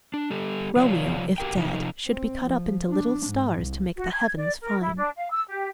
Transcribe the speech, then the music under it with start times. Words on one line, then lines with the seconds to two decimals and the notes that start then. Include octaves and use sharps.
Romeo, if dead, should be cut up into little stars to make the heavens fine.
0.14 D4
0.30 G3 G4 A4
0.76 C3 F3 F4 C#5 D5 F5
1.38 F#4 G4 A#4 G5
1.56 C3 F3 D#4
2.07 C4
2.46 F3
2.89 D4
3.27 G#2
3.57 C2
3.97 F#4
4.12 G#6
4.37 D5
4.61 A#4
4.81 E4
4.96 D4
5.17 F5
5.31 E6
5.49 G4